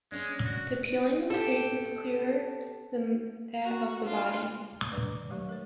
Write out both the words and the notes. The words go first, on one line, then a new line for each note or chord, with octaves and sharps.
The peeling of the face is clearer than that of the body.
G#3 C#4 D4
F#4
G4 A4
F#4
D4 F4
G3 D4 B4 D5 D6
D#3 D4 B4
F#3 G#3 A3 G4 C#6
A#4 C#5